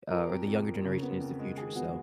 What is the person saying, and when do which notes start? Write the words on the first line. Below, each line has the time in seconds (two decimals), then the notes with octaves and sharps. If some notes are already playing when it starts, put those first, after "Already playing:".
uh, or the younger generation is the future, so
0.10 F3 A#4
0.29 F2
0.47 F2
0.66 A#3
0.84 C#3
1.03 B3
1.21 F2
1.39 G#3
1.57 D#3 G#4
1.76 B3 F#4